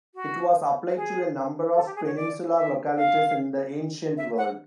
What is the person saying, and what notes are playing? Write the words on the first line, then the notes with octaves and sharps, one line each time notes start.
It was applied to a number of peninsular localities in the ancient world.
F#4
G#4
A4
G4
G#4
C#5
D5
E5
F5
E5
F#5